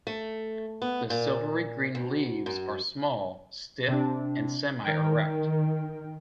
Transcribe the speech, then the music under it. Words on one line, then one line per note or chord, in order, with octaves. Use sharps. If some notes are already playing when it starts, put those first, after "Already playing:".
The silvery-green leaves are small, stiff and semi-erect.
A3
B3
A#2
D2
F#2
C3 C4 D4
D#3 A#4 G5